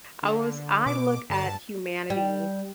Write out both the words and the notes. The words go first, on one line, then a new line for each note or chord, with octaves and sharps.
I was I look at humanity
D3
B2 D6
G2 D3 A5
G3